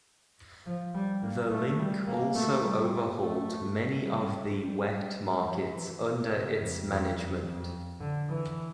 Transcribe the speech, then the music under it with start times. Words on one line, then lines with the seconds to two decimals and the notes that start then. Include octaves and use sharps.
The Link also overhauled many of the wet markets under its management.
0.66 F3
0.94 G3
1.23 A#3
1.51 A3
1.79 G3
2.07 A#3
2.35 A3
2.63 G3
3.21 A3
4.05 G3
4.62 G3
4.90 G3
5.45 F3
5.74 E3
6.31 C#3
6.59 F2
6.87 F2
7.43 F2
8.00 D3
8.29 E3